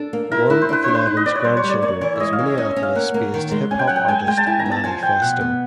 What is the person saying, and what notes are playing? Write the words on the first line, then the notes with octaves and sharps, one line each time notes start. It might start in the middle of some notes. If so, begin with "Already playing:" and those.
One of Levins's grandchildren is Minneapolis-based hip hop artist Manny Phesto.
Already playing: D4 A4
A#3
E4 A#4
E4 B4
C5
D4 B4
D4 C5
B4
D#4
D#5
C4 D5
C#5
G3 C5
C#5
G3
D5
A#3 C#5
E3 C#5
G#3 D#5 E5
F5
E3
E5
C#4 D#5
E5
C#4
F5
A#3 F#5
A#3
D#3
G#3
C#4 G#5
G5
F#3 F#5
G5
G#3 G#5
G#3 G5
A5
E4 G#5
A#5
B3
A5
F3 G#5
F3 G5
B2 F#5
B3